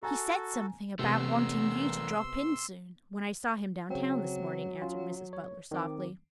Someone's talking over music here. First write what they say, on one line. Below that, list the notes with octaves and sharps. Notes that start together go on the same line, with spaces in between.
"He said something about wanting you to drop in soon, when I saw him downtown this morning," answered Mrs. Butler softly.
F#4 A4 G#5 A#5
E2 C3 A3 B3 C6 E6
C#3 F#3 C4
C#4 F4
C#5
D#3 C4 D6